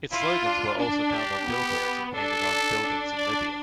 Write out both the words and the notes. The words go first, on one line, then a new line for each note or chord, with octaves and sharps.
Its slogans were also found on billboards and painted on buildings in Libya.
E4 F4
D4
D4
G4
B3
D4 A4
D4
D5